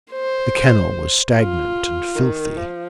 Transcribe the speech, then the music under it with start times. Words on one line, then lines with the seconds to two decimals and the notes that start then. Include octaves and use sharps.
The kennel was stagnant and filthy.
0.12 C5
1.35 F4
2.16 D#3
2.57 F3